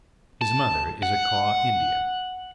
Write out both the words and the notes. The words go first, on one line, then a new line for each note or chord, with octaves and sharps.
His mother is a Kaw Indian.
A5
F#5